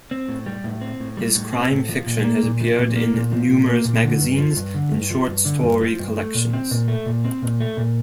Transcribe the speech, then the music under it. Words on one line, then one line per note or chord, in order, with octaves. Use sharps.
His crime fiction has appeared in numerous magazines and short-story collections.
C4
A2
G3
A2
C4
A2
G3
A2
C4
A2
F3
A#2
A#3
A#2
F3
A#2
A#3
A#2
F3
A#2
A#3
A#2
D3
G2
F3
G2
D3
G2
F3
G2
D3
G2
F3
G2
A3
A#2
C4
A#2
A3
A#2
C4
A#2
A3
A#2